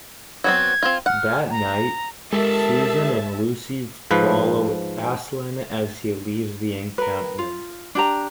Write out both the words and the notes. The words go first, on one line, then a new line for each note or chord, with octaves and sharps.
That night, Susan and Lucy follow Aslan as he leaves the encampment.
F#3 B3 C4 G#6
C4 F4
F#5 F6
A#5
G#3 G4 A4 A#4 E5 A5
G#2 F3 B4
A#4 B4
F4
D4 G4 A#5